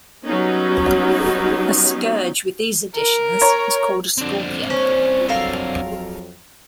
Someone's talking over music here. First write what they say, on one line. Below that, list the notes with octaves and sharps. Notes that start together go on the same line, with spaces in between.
A scourge with these additions is called a scorpion.
F#3 G3 B3 C#4 D#4
A#4
C#5 A#5 C#6
F2 B2 D3 C4 D4
C#4 C5
F2 F#3 A4 A#4 F5